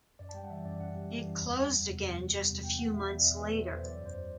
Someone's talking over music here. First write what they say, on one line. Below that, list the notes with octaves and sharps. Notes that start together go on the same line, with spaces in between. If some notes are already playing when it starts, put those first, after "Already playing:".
It closed again just a few months later.
F#2 D5
A5
G3 G5
F#5
E3 E5
F#2 D5
F#2 F#5
G3
E3
F#2
E2
G3
C3
E2
E2
G3
C3
E2
E2 G5
F#3 F#5
B2 E5
E2 D5
E2 E5
F#3 B4
B2 A4
E2 C5
E5
F#3 D5
F#2 C5
F#3